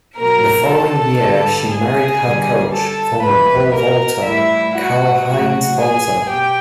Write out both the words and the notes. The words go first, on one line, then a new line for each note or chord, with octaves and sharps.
The following year, she married her coach, former pole vaulter, Karl-Heinz Balzer.
B2 F#3 A#4 A#5
A4 A5
G2 D3 G3
G#4 G#5
G2 D3 G3
A4 A5
F2 C#3 E3 B4 B5
A#4 A#5
A2 E3 G3 E4 E5
F#4 F#5
A2 F#3 F#4 F#5
G#4 G#5
B2 G4 G5